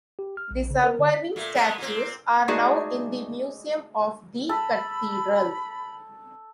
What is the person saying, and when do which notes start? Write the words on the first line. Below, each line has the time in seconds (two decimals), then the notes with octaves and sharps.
The surviving statues are now in the Museum of the Cathedral.
0.19 G4
0.37 F6
0.51 A#1
0.70 C#3
0.84 A#4
0.99 D3
1.14 B6
1.36 A#2 A3
1.55 G#3 A#3 B3
1.78 A#2 C4
2.48 G#3 A3 D#4 F#4 G#4 D5
4.49 A4 B5